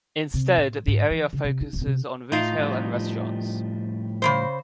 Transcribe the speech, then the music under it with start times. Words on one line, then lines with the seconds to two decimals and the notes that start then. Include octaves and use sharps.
Instead, the area focuses on retail and restaurants.
0.34 C3
0.58 A2
0.87 G#2
1.11 E3
1.33 C#3
1.45 C3
1.61 D#4
1.73 D1
1.86 C3
2.32 A2 D#4 F4
2.58 A2 F3 G3
4.22 C#3 E3 C5